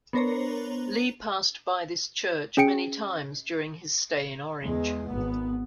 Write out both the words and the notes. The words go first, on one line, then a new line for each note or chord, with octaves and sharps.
Lee passed by this church many times during his stay in Orange.
B3 D4 A#4 C5 C#5 A#5
C#4 G#4 G5 C#7 D7
E2 G#3
G#1 B3